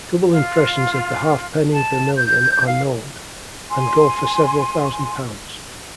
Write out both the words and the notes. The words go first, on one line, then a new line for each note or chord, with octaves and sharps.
Double impressions of the halfpenny vermilion are known, and go for several thousand pounds.
F4
A5
G6
F5
G#5 C6